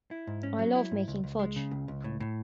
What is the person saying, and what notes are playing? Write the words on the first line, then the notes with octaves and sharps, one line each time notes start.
I love making fudge.
E4
G#2
C#4
F#3
E4
G#2
C#2
C#2
G#3
C#3
C#2
C#2
A2
A2